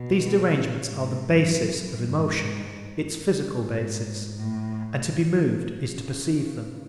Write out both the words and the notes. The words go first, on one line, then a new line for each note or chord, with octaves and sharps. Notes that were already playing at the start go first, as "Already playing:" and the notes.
These derangements are the basis of emotion, its physical basis, and to be moved is to perceive them.
Already playing: B2
C#3
G#2
F#2
G#2
G#2
A2
C#3